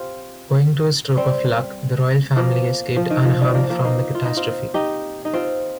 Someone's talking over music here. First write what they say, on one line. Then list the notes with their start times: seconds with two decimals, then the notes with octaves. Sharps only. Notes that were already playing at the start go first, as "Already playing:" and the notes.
Owing to a stroke of luck, the Royal Family escaped unharmed from the catastrophe.
Already playing: C4 F4 G4
1.17 G3 C4
2.36 F3 A#3
2.96 F3
3.10 D#3
3.25 F3
3.40 D#3 G3
3.55 F3 A#3
3.70 F3 A#3
3.85 A#3 D#4
4.15 F4
4.25 D#4
4.37 C4 F4
4.74 D#4 G4
5.25 D#4
5.33 C4 F4